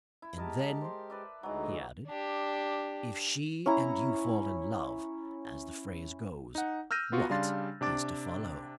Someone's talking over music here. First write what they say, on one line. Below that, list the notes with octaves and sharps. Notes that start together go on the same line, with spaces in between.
"And then," he added, "if she and you fall in love, as the phrase goes, what is to follow?"
E4
G#3 G4 A#4 D#5 A5
C5 C6
B4 D5 E5
D2 E3 F#3 G#3 D#4
D4 G4
C#4 E4 A#5
D#4 F#5
E6 F6 G6 A#6 D#7
B3 F4 F#4
C#3 G3 D4 F5 C6 A6
C3 D4 D6 A6